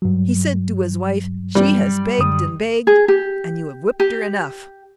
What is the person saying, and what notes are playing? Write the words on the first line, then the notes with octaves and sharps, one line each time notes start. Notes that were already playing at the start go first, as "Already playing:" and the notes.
He said to his wife she has begged and begged and you have whipped her enough.
G2 F#3
G3
F#2 D3 D#6
G#4
G4
G4